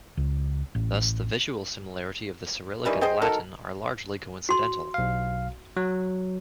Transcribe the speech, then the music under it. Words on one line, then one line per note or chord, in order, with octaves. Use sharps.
Thus the visual similarity of the Cyrillic and Latin are largely coincidental.
C#2
A1
D#3 E3 G3 B4
G#4 C5 D#5 G5
F#3 D#4 A4 A#4
F#4 C6
B1 F5
F#3